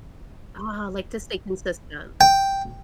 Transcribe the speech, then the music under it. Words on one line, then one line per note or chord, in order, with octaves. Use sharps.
Ah, like, to stay consistent.
G5